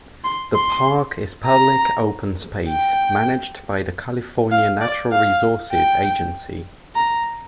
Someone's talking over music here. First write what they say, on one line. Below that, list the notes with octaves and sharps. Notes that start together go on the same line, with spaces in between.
The park is public open space, managed by the California Natural Resources Agency.
C6
C6
A#5
G5
F5
D5
F5
G5
A#5